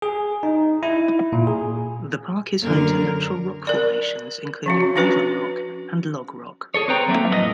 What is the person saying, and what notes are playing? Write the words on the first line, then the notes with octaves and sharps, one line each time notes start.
The park is home to natural rock formations including Raven Rock and Log Rock.
G#4
D#4
E4
A#2
G#4
F#2 D3 A#4
A#4 D5
F3 C#4 F#4
C#4 D4 F#4 B4 C#5
G#4 A4 C#5
C4 B4 C5 G5 A#5
F#3 A3 A#3
F2 A2 F#4 D#5